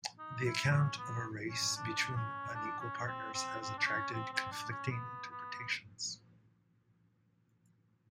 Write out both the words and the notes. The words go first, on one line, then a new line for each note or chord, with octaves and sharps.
The account of a race between unequal partners has attracted conflicting interpretations.
D#4
E4
C#4
B3
C#4
D4
C#4
D4
C#4
C4
C4
C4
D4
C#4
C4
C4
D4
C#4
B3
B3